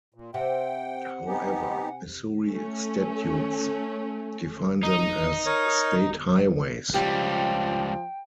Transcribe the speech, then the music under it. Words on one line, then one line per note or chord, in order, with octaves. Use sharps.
However, Missouri statutes define them as "State Highways".
A#2
C3 E5 F#5 G5
B3 D#4 G4 G#5
A3 C#4
D#4 D#6
A#4 C#5
C#2 F3 G3 G4 G5